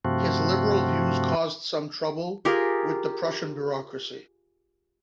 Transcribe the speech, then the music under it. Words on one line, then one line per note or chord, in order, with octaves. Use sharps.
His liberal views caused some trouble with the Prussian bureaucracy.
G2 C3 F3 A3 C4 F#4
F4 G4 G#4 A#4